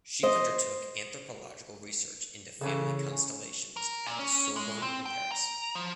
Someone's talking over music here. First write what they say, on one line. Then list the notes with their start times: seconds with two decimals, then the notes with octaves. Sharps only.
She undertook anthropological research into family constellations at the Sorbonne in Paris.
0.23 C5 D#5
2.61 C#3 E3 C#4 A4
3.12 C#4
3.76 A#4
4.06 A#2
4.19 C#4
4.56 G#3
4.83 C4
5.06 G5
5.32 A#5
5.75 F3